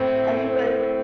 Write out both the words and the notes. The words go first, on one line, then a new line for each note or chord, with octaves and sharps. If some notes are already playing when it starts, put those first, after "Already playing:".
I feel like
Already playing: A2 C4